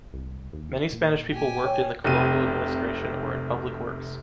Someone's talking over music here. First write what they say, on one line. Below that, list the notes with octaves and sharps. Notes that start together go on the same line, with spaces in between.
Many Spanish people worked in the colonial administration or in public works.
C2
D#2
A#2
A#2 G4 G#5
C#5 G5
F1 C3 D#7